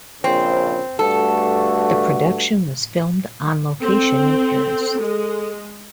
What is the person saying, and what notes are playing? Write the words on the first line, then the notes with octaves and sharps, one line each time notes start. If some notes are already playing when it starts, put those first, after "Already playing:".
The production was filmed on location in Paris.
A#1 C#3 C4
G2 A3 F#4 A4
C4 A4
G#3